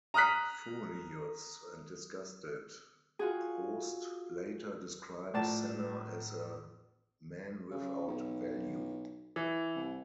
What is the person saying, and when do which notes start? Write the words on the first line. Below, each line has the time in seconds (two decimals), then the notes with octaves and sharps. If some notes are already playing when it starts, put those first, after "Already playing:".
Furious and disgusted, Prost later described Senna as "a man without value".
0.14 A#5 D#6 F6 F#6 B6
3.19 F4 F#4 G#4
5.34 A#1 A2 D5 A5
7.71 C#3
8.07 B1
9.36 E3
9.75 C2